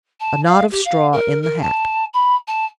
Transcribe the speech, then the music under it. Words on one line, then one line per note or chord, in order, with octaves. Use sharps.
"A knot of straw in the hat."
A5
F5
G4
F5
A#4
A#4
A5
B5
A5